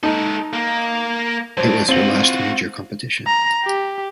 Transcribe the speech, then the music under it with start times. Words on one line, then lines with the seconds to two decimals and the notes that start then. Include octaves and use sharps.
It was her last major competition.
0.03 G#3 D#4 A4
0.53 A#3
1.57 F#3 D4 C5
1.89 C4 F4 F#4 F#7
3.27 A#5
3.64 G4